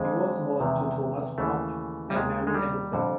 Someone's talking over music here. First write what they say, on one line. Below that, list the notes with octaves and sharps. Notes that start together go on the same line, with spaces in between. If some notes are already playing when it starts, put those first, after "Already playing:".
He was born to Thomas Hodge and Mary Anderson.
Already playing: F2 D3 G#3
E2 C3 D#3
D#2 C#3 E3 A3
G3
D#2 D#3 G#3
G#3
G3
F2 D3